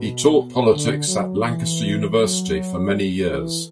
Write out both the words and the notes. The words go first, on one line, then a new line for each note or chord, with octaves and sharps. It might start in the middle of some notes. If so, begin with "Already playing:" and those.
He taught politics at Lancaster University for many years.
Already playing: B2
D3
F#3
E3
F#3
E3